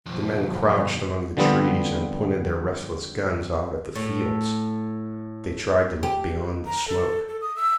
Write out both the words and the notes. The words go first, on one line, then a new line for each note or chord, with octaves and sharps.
The men crouched among the trees and pointed their restless guns out at the fields. They tried to look beyond the smoke.
B1 F2 F3
D3 F3 G3 B3 C4
A2
G4
A#5
A4
A4
D#6
E6